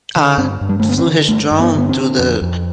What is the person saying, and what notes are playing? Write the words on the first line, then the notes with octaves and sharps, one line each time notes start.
uh, flew his drone through the
D3
G2 C4
G2
G3
D3 A3
B3
C4
D3
G2 A3
G2
B3
D3 B3
C4
D3
F2
F2